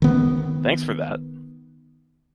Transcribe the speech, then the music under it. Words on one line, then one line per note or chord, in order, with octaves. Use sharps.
Thanks for that!
D#3 B3